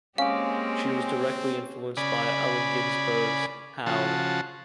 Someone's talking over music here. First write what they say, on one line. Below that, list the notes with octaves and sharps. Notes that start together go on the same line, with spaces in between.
She was directly influenced by Allen Ginsberg's "Howl".
G#3 A#3 C4 C#4 G4 F5 D6
C#3 D5 G#5 B5
C#3 F3 F#4 A5